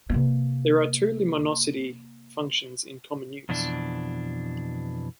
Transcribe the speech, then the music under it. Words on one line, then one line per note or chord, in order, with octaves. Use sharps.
There are two luminosity functions in common use.
C3 A#3
F2 B2 E3 D4